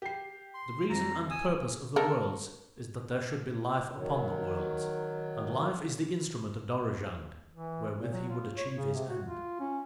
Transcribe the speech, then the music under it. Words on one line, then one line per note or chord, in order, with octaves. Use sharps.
The reason and purpose of the Worlds is that there should be Life upon the Worlds, and Life is the instrument of Dorozhand wherewith he would achieve his end.
G4 C7
C6
F2 A#5
G#5 D#6 E6
A4 A#4
D#3 F#3
E3
A#2
F#3
F4
C#5
C#3
C3
F#4
F4
C#4